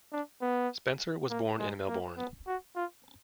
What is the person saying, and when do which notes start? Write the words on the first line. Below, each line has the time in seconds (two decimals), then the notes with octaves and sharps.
Spencer was born in Melbourne.
0.13 D4
0.42 B3
1.30 A#3
1.59 G#3
1.88 A#3
2.17 B3
2.47 F#4
2.76 F4